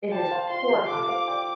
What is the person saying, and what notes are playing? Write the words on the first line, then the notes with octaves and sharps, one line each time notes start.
It is horrifying.
D5 G5 A5
C5 F5
F4 C6
G4
G4
F4 A4 D6
C5 F5
D5 G5